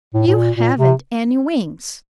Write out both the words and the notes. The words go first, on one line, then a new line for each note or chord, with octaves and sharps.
"You haven't any wings."
A2
A2
A#2
A#2
C3